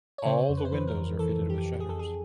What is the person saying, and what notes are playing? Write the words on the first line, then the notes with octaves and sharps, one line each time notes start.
All the windows are fitted with shutters.
C#5
C#3 C5
F2
B4
C5
E3 B4
A#4
F2
E3 A4
F2
G4
F2
G#4
F2 A4
G#4